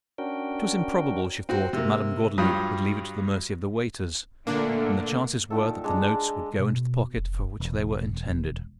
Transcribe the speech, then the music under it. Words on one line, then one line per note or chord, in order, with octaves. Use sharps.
It was improbable, she thought, that Madam Gordeloup would leave it to the mercy of the waiters; and the chances were that the notes would go into the pocket for which they were intended.
C#4 D4 F#4 A#4 G5
C4 F#4
C3 A#3
G2 F#3 G3 F4 D#6
A#2 D3 A3 A#3 D4
A#2 D#3 A4
G#3 D4 A#5
B2
F1
E1